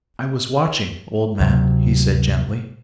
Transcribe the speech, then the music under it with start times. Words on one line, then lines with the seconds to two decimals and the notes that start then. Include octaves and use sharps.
"I was watching, old man," he said gently.
1.40 D2 C3 F#3